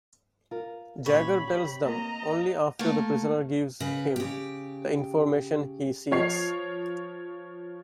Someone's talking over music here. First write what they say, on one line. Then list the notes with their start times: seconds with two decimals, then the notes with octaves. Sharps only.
Jagger tells them, only after the prisoner gives him the information he seeks.
0.51 F4 A#4
1.06 A#2 C#4 G4 C#5 B5
1.47 G4
1.85 A#3 C4 D#5 A#5
2.79 A3 A#3
3.80 C#3 B4
4.16 C#3 G4
6.11 F3 C#5 C7